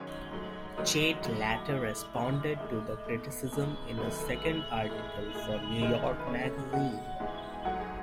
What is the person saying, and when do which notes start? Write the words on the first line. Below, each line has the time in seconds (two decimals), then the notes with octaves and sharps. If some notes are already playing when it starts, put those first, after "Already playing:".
Chait later responded to the criticisms in a second article for "New York Magazine".
Already playing: G#2 D#3 F#3 C#4 C#5
0.31 G#2 F#3 A3
0.77 G#2 D#3 F#3 A3 D#4 D#5
1.22 A2 F#3 A3
1.68 A2 G#3 E4 E5
2.14 F#2 D#3 G#3
2.53 E5
2.60 A2 G#3 D#4 D#5
3.06 B2 A3
3.52 E2 C#3 G#3
3.97 F#2 D#3 F#3 A3 B3 B4
4.21 A4
4.43 A2 G#3 A4
4.89 A2 E3 G#3
5.35 A2 G#3 G#4
5.82 F#2 D#3 G#3
6.19 B4
6.27 B2 A3 C#4 C#5
6.43 A4
6.57 G#4
6.73 B2 G#3 F#4 F#5
7.20 G#2 E3 G#3
7.54 G#5
7.65 G#2 F#3 A3 F#4 F#5
7.80 G#4 G#5